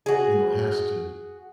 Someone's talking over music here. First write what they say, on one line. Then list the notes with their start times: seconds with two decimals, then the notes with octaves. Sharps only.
you know, has to
0.06 F#4 G#4